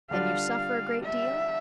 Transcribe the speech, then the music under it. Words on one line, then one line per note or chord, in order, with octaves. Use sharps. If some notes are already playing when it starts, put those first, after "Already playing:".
"Then you suffer a great deal?"
D3 G3 D4 F4 F5
E5